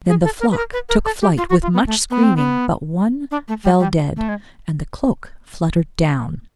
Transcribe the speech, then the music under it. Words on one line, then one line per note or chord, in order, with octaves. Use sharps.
Then the flock took flight with much screaming, but one fell dead, and the cloak fluttered down.
G#4
A4
A#4
B4
A#4
B4
A#4
A4
G4
F4
F#4
F4
B3
A3
B3
C4
B3
D4
A3
G3
G3
A3
G#3